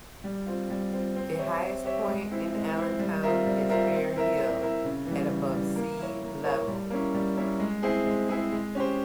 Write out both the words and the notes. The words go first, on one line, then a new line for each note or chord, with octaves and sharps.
The highest point in Allenstown is Bear Hill, at above sea level.
G3
C4 F4
G3
C4 F4
C4
G4 C#5 E5
C4
G4 C#5 E5
G#3
C4 E4
G#3
C4 E4
G3
C4 F4 A#4 E5
G3
C4 F4 A#4 E5
C4
E4 A#4 E5
C4
E4 A#4 E5
C#3
E3 G3
C#3
E3 G3
A#3
E4 A#4 C#5
A#3
E4 A#4 C#5
G3
A#3 C#4 E4
G3
A#3 C#4 E4
G#3
C4 E4 G#4
G#3
C4 E4 G#4
G#3
C#4 G4 C5